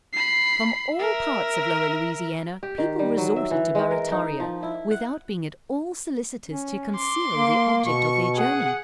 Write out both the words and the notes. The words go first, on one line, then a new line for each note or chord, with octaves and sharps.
From all parts of Lower Louisiana, people resorted to Barrataria, without being at all solicitous to conceal the object of their journey.
B5 C7
A#4 E5
G4
D#3
G3
F#3
E5
E3
G#3
A#4
D#4
F3
E4
F#5
C#4
C6 D6
A#3
B2 C#6
G#4 F#5